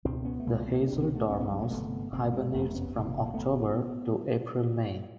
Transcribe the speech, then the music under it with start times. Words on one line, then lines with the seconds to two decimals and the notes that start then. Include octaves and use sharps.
The hazel dormouse hibernates from October to April-May.
0.05 C#2 B2 C4 D4
0.25 B3 C#4
0.40 A3
0.46 C#2 B2 G#3 A#3
0.67 A#3 C4
0.87 C2 B2 C4 D4
1.02 B3 C#4
1.15 A3 B3
1.29 C2 B2 B3 C#4
1.40 B3 C#4
1.50 F#3 G#3
1.61 G#3 A#3
1.70 G1 F2 C3 A3 B3
2.13 G1 F2 C3 A#3 C4
2.33 G#3 A#3
2.54 F#1 F2 C3 A3 B3
2.74 B3 C#4
2.95 F#1 F2 C3 A#3 C4
3.17 B3
3.26 A#3
3.34 G#1 A3 B3